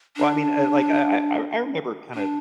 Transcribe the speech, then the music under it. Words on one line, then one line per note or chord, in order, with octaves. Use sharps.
Well, I mean, uh, like, uh, I I I remember kinda
D4
D4